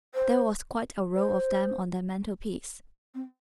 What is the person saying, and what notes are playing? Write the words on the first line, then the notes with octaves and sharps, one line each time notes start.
There was quite a row of them on the mantel-piece.
C5
C5
C4